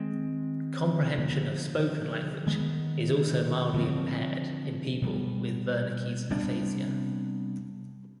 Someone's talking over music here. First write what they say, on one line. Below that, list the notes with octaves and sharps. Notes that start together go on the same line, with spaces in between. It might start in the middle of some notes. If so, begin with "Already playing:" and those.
Comprehension of spoken language is also mildly impaired in people with Wernicke's aphasia.
Already playing: D#3 G#3 C4
D3 F3 B3
D#3 G#3 B3
D3 F3 C4
B2 G3 B3
C3 G3 B3 D4